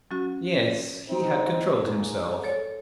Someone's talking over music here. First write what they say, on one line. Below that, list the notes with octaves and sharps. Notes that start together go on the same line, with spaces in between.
Yes, he had controlled himself.
F#3 C#4 F#4
C4 D#4
G#2
A4 C#5 D5